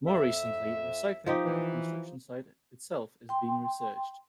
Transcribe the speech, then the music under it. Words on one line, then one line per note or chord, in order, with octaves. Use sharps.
More recently, recycling at the construction site itself is being researched.
F2 E5
F3 D#4 G4
E3
G5 C6